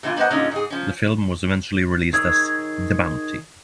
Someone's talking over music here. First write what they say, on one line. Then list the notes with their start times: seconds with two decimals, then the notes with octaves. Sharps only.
The film was eventually released as "The Bounty".
0.03 A#2 D3 E3 E4 F4
0.16 A#3 B4 C5 D#5 F#5
0.30 A#2 D3 G#3 C#4 D#4 F4
0.51 G#2 G#4
0.70 F3 C#4
2.13 D#3 G#4 C#5 E6